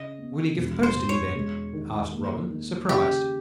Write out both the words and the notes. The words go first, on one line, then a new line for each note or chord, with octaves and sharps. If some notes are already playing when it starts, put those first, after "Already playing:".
"Will he give the purse to me, then?" asked Robin, surprised.
Already playing: C#3 D#5
B3
E1
C5
E1
C#5
G#3
D#3
A#3
D#3
C#3 G4